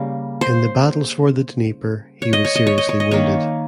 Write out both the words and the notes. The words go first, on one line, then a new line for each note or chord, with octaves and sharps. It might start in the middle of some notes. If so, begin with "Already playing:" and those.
In the battles for the Dnieper he was seriously wounded.
Already playing: C#3 G3 A#3
C5
C#5
D#5
C#5
D#5
C#5
D#5
C#5
D#5
D#3 A#3 C#5